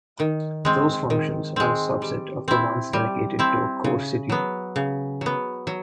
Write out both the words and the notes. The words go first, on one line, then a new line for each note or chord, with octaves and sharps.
Those functions are a subset of the ones delegated to a core city.
D#3
G#3 C4
D#3
G#3 C4
G3
C4 E4
G3
C4 E4
C#3
F#3 B3
C#3
F#3 B3
F#3